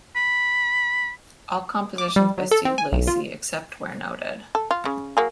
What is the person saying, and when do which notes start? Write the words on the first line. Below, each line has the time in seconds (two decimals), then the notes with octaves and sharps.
All compositions by Steve Lacy except where noted.
0.16 B5
1.98 D6
2.16 G3
2.38 F#3
2.51 A4
2.65 C4
2.78 G#5
2.92 B1
3.07 F4
4.55 A4
4.71 F4
4.85 C#3
5.17 F#3 A#3 G#4